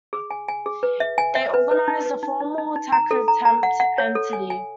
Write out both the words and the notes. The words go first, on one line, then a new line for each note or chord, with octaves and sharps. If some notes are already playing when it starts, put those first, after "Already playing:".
They organized the formal, tax-exempt entity.
G#4
G#5
G#5
G#4
B4
E5
G#5
E5
B4
B4
D#4
B4
D#4
D#4
D#4
D#4
A#5
A4
A#5
A#5
F#5
F#5
C#5
A4
G#5
G#5